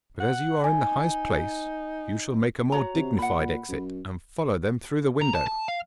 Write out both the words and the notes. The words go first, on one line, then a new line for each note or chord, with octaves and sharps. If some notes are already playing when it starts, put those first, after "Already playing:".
But as you are in the highest place you shall make a more dignified exit, and follow them through the window!'
F#5
D#4 G#5
F#4 C#5 A#5
C3
A#2 F#5 B5
A#2
F#2
A#5
A5
A5
F5